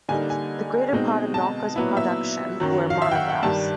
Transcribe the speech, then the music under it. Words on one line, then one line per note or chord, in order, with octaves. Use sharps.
The greater part of Nauka's production were monographs.
D3 G3 A#3 D#4 G#5
G#5
B2 G#3 C4 D#4
A5
A#2 F#3 B3 E4
E5
F#2 D#3 F#3
F5
E5
G5
F#5
F#5
G2 D#3 G3 A5